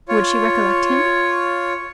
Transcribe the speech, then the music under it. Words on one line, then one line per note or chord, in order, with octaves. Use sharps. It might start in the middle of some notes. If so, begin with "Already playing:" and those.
Would she recollect him?
F4 C#5